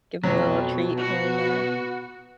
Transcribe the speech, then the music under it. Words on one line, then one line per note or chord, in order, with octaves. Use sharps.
Give him a little treat here and there.
F2 B2 F#3
B3 F#4